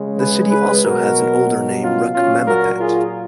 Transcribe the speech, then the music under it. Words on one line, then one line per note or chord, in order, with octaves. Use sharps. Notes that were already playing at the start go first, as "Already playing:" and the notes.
The city also has an older name Rukmammapet.
Already playing: C#3 G#3
G#4 B4
G#4 B4
B2 F#3 F#4 A#4
C#4 F4
A#2 F#3 C#4 F4
F#4 A#4
F4 G#4